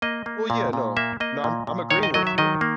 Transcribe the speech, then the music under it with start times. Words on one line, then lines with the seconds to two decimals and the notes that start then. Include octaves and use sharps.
Well, yeah, no. No, I'm I'm agreeing with you.
0.02 A#3 D#5
0.26 A#3
0.50 A#2
0.73 A#2
0.97 A#3 E5
1.20 A#3 D#5
1.44 A#2
1.67 A#2
1.90 D#3 C#5
2.03 D#5
2.14 F#3 D#5
2.27 E5
2.38 D#3 D#5
2.61 A#3